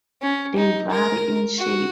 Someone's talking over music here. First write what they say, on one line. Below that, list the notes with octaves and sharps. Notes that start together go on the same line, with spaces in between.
They vary in shape.
C#4
D#4
A#4
F#4